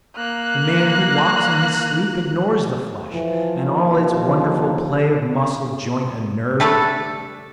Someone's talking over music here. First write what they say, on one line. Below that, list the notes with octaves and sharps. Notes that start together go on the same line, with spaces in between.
The man who walks in his sleep ignores the flesh and all its wonderful play of muscle, joint, and nerve.
A#3 F#6
E3 F3
D#2
G3 A3 D4 A4